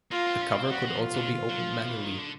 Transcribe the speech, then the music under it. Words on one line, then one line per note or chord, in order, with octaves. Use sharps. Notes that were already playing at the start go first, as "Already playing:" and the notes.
The cover could also be opened manually.
A#3 F4
C4
C#4
C4
G3 F#4
F3
F4
D3
F#3
F3
E3
D#3
D3